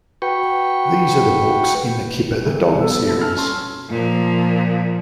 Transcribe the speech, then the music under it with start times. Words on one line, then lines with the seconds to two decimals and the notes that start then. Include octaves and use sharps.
These are the books in the "Kipper the Dog" series.
0.22 F#4 B4 G5 C#6
2.46 F1 G3
2.78 B2 B3 F#4 A4
3.09 F#1
3.21 A5 F6
3.37 C#4 A5 C6
3.90 A#2 F3